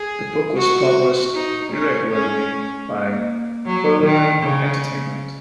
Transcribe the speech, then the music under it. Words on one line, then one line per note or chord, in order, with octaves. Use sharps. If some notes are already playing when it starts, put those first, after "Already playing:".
The book was published irregularly by Burlyman Entertainment.
Already playing: G#4
F#4
D#4
C#4
C#4
A#3
F#3
D#3
C#3